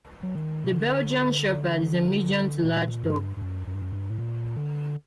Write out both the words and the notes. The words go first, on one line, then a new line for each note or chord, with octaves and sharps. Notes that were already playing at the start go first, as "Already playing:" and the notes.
The Belgian Shepherd is a medium-to-large dog.
F#3
D#3
C3
D3
A#2
G2
G2
F#2
F#2
G2
F#2
G2
A2
A#2
D3